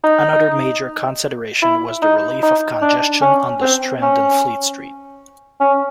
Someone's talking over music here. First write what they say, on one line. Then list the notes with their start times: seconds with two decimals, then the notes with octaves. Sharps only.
Another major consideration was the relief of congestion on the Strand and Fleet Street.
0.04 D#4
1.62 E4
2.02 D#4
2.43 D#4
2.82 D4
3.21 C#4
3.61 C4
4.02 C#4
5.60 C#4